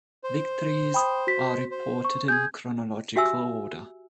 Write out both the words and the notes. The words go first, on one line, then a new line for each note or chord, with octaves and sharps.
Victories are reported in chronological order.
C5
G5 B5 D#6
F#4 B6
C5
C#6
G#4 G6 G#6
F#4 G4 E5 G#5 E6